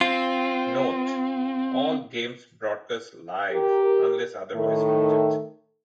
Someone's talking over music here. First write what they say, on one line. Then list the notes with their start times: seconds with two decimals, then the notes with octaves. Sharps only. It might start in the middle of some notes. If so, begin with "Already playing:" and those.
Note: All games broadcast live unless otherwise noted.
0.01 C4 F4
3.52 G4 A#4
4.55 A2 D#3 A3